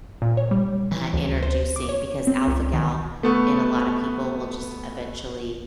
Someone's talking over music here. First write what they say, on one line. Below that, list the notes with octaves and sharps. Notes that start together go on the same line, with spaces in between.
uh, introducing Because alpha-gal in a lot of people will just eventually
A#2
C#5
G3
E3
D2
C5
D6
C#5
C4
C#2
D#3
A3 B3 C#6